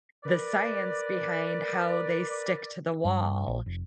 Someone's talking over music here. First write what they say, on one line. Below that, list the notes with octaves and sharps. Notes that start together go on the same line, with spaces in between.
the science behind how they stick to the wall
A#4 B4 D5
G2
A#1
F1